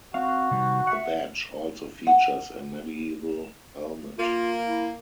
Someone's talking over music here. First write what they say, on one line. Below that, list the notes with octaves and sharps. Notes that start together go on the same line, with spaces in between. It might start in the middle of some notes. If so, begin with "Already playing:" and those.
The badge also features a medieval helmet.
C4 F#4 F5
C3 D#3 G3
E5 F#5
F#5
A#3 F4
E4